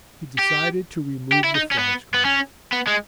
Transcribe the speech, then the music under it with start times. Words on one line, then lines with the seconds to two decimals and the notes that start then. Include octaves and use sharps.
He decided to remove the fly-screening.
0.39 G4
1.32 G4
1.44 E4
1.55 D#4
1.72 C#4
1.79 B3
2.14 B3
2.25 C#4
2.72 B3
2.87 G#3